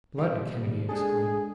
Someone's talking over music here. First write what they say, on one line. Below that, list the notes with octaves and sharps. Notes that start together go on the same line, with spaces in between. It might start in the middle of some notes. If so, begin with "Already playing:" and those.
"Blood!" Kennedy exclaimed.
D#2 G3 F5
G#3 D4 G#4 A4